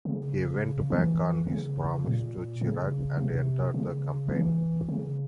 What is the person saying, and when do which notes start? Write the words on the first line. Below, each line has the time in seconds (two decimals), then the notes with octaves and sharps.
He went back on his promise to Chirac and entered the campaign.
0.05 C#3
0.90 E3
1.47 C#3
2.04 A#2
2.61 C#3
3.17 C3
3.74 C#3
4.31 E3
4.89 C#3